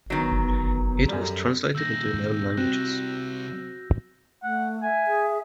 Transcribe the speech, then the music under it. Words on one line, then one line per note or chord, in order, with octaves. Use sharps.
It was translated into eleven languages.
D#3 F#3 B3 B4
F#2 G3 A4
A#2 D#3 E6 G6 A#6
C3 G3 C4 F#4
A3 F#5
E5 G#5
G#4